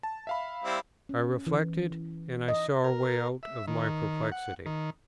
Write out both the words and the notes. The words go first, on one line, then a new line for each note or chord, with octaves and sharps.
I reflected, and I saw a way out of my perplexity.
A5
E5 F5 B5
G3 C4 E4
C#4
E3
D#5
A#4
E5
D#3
F#5
D#3